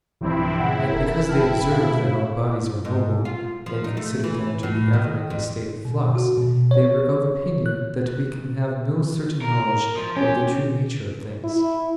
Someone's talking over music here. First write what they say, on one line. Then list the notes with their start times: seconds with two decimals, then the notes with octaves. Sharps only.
And because they observed that all bodies are mobile, and considered them to be ever in a state of flux, they were of opinion that we can have no certain knowledge of the true nature of things.
0.21 B1 G2 E3 F3 C4 E4
0.60 A#2 C#3 E4 F#5
0.93 F1 A4 A#4
1.29 G5 A5 F6
1.72 B2 F#4 F5
2.85 G#2
3.25 F4
3.66 F3
3.84 D#4
3.97 A3
4.24 E3
4.63 A2
4.93 D#3
5.30 F2
5.85 B2
6.16 F#4
6.38 B2
6.71 C#5
7.66 F#6
9.42 A#4
9.96 F3
10.17 C#4 G4
11.44 E4